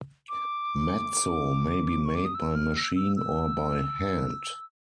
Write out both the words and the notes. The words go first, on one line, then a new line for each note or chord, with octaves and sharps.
Matzo may be made by machine or by hand.
D6
C#6
D6
D#6
E6
F6
E6
E6
E6